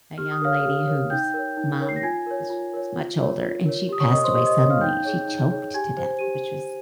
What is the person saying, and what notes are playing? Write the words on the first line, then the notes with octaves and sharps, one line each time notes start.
a young lady whose mom is much older and she passed away suddenly. She choked to death, which was
G4 F6
D#6
A#4 C#5 F5 F6
G4
A#4 C#5
D#4 G5 G6
A#4 C#5
D#4
A#4 C#5
C7
A#6
F4 G#5 G#6
A#4 C#5
F4
A#4 C#5
F4
A#4 C#5
F4
A#4 C#5
G4 D#6
C#5 C#6
A#4 C#5 D#5 D#6
C5 C6
G4 D#5 D#6
D#5 D#6
A#4 C#5 D#5 D#6
F5 F6
D#4 G5 G6
G#4 C#5
D#4
G#4 C#5
G4 G#5 G#6
C5
G4 D#7